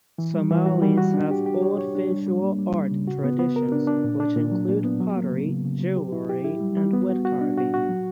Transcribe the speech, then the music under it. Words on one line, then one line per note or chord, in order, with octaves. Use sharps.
Somalis have old visual art traditions, which include pottery, jewelry and wood carving.
E3
G3
E3
F#4
G3
F#4
D4
G4
G4
C#5
C#5
D4
G3
G3
A#3
G3
G3
C#3
F#4
B3
B3
A#4
D4
D4
A#2
D4
A#2
F#3
A#2
B3
F#3
A#3
C#3
C#3
C#3
F#3
G4
E4
G4
E4
G3
G3
B3
F#4
F#4
D4
F#4
F#4
F#3